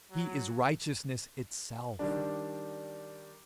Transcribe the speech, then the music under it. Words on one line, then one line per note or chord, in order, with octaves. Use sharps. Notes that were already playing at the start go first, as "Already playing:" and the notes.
He is righteousness itself.
F#3
D#3 G3 D4